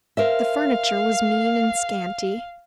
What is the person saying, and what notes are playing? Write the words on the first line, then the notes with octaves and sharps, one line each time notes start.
The furniture was mean and scanty.
A#4 C5 E5 F5